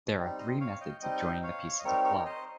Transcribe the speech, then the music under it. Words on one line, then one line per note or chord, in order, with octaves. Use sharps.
There are three methods of joining the pieces of cloth.
G3 C4 D#4
C5 D#5
C#5 F5
D#5 G5
G3 C4 D#4 D#5 G5
C#5 F5
D#5
G3 C4 D#4 A#4 C#5
A#4 C#5
C5 D#5